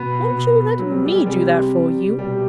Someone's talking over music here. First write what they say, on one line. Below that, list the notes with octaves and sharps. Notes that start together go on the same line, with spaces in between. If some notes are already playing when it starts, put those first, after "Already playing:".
Won't you let me do that for you?
Already playing: B2 B3
B2
F#3
G3
G3
G#3
C3 G3
B2 G3